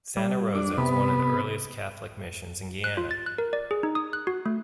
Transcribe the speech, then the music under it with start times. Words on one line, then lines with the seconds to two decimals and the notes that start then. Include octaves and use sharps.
Santa Rosa is one of the earliest Catholic Missions in Guyana.
0.17 G3
0.55 D4
0.78 C3 B3
2.84 F#6
2.97 F4
3.11 A6
3.26 F#6
3.38 A#4
3.53 D5
3.71 G#4
3.83 D#4
3.95 D#6
4.13 F#6
4.27 F#4
4.46 A3